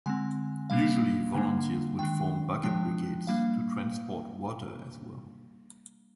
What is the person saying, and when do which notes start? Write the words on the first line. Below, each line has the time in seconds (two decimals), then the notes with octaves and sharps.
Usually, volunteers would form bucket brigades to transport water as well.
0.06 D3 G#3 C4 G#5
0.70 G3 A#3 D4 F5
1.34 D3 G3 A#3 D4
1.99 D#3 G#3 D4 G5
2.63 F3 G#3 D4 G5
3.27 G3 A#3 D4 F5